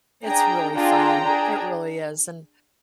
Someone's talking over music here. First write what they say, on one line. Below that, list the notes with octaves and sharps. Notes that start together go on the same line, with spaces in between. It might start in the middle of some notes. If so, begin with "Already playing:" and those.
it's really fun, it really is, and
D4 G#4 G5 A#5
D4 F4 G#4 G5 A#5
D4 G#4